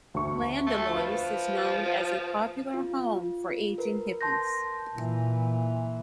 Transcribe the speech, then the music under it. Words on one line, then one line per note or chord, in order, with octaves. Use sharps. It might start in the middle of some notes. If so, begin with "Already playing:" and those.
Llanidloes is known as a popular home for ageing hippies.
D2 C#6
A3
F3 B4
F4
A#4 B4
A5 C6 G6 A#6
A#2 E3